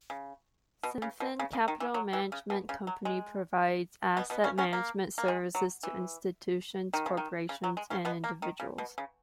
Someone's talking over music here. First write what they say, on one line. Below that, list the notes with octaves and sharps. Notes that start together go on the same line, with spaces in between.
CinFin Capital Management Company provides asset management services to institutions, corporations and individuals.
C#3
B2
C#3
B2
C#3
C#3
D#3
E3
F#3
E3
C#3
B2
C#3
F#3
G#3
B2 B3
B2 B3
C#3 C#4
C#3 C#4
A#3
A#3
G#3
F#3
E3
D#3
C#3
D#3
C#3
F#3
G#3
C#3 C#4
B2 B3
A#3
D#3
C#3
B2
C#3